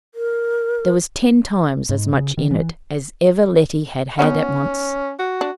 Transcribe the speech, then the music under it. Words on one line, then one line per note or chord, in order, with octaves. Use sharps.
There was ten times as much in it as ever Letty had had at once.
A#4
G#2
C#3
D#3
E3
B3 C#4 D#4 F#4
F#4
D4